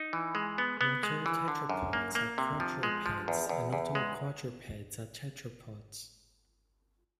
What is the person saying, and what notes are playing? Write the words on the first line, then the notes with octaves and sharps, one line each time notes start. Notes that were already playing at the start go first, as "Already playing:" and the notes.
Not all tetrapods are quadrupeds and not all quadrupeds are tetrapods.
Already playing: D#4
E3
G#3
B3
B3
G#3
E3
D3
F#2
A#3
A#3
C3
F3
G#3
F3
E2
E2
E2
G#3